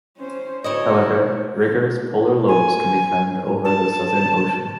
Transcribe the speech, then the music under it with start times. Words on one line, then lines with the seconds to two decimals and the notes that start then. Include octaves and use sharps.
However, vigorous polar lows can be found over the Southern Ocean.
0.17 C#4 C5
0.64 D2 E4 C#5 D#5
2.48 G#5
3.64 A5